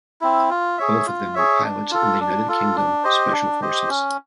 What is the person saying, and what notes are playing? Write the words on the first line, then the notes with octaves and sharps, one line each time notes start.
Both of them were pilots in the United Kingdom Special Forces.
C4 E4
F4
G#4 C#5 E5
F4
G#4 C#5 E5
D4
F4 A4
D4
F4 A4
D4
G4 C5 D#5
D4
G4 C5 D#5
C#4